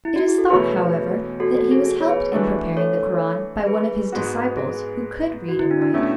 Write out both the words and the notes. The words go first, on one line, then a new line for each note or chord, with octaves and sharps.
It is thought, however, that he was helped in preparing the Koran by one of his disciples who could read and write.
E4
F#4
G#4
A4
E2 B2 A3 C#4 G#4 B4
F#4 A4
F#4 A4
G#4
G#4
C#5
G#4 B4
E3 A3 D4 F#4
A4 C#5
G#4 B4
G#2 G#3 B3 F#4
G#4
F#4
E4
D4
D4
B2 A3 C#4 E4